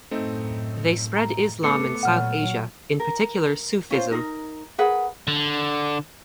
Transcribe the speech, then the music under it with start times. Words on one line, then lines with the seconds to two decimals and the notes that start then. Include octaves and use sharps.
They spread Islam in South Asia, in particular Sufism.
0.11 F#2 A2 A3 C4 D#4
1.16 A#5
1.64 A3 B3 D6 C7 C#7
2.03 A#2 F#3 F#5 F6
3.00 A#4
3.91 C#4 F4 C5
4.11 D#4 A#4
4.78 G#4 A#4 B4 F#5
5.28 D3